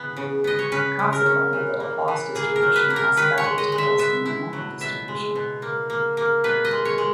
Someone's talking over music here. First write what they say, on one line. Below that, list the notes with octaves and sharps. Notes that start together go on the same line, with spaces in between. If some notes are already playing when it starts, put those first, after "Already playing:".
Consequently, the Laplace distribution has fatter tails than the normal distribution.
Already playing: E3 B3
C#3
B3 D#5
C#5
C#4 B4
C#3
A#4
C#4
E3
A#3
E3
A#3 G#4
A#4
F#3
B4
A#3
A#4
D#3 B4
C#5
G#3
D#5
G#3
E5
B3 E5
E4
F#3
B2 E5
G#3
B2
A#3
A#3
A#3
B2 B4
D#5
G#3
C#5
G#3